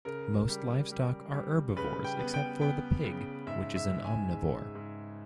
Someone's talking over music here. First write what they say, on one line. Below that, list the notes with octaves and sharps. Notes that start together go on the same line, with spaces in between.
Most livestock are herbivores, except for the pig which is an omnivore.
C#3 A#4
G3
G3
G3
C#3 B4
G5
B3
G5
B3 G5
C#3
G#2 E5
E5
G#2
G#5
G#2
G#2